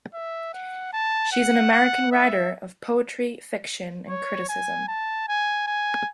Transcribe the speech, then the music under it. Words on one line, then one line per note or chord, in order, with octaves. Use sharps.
She is an American writer of poetry, fiction, and criticism.
E5
F#5
A5
F#5
F#5
E5
C#5
G#5
A5
G#5
G#5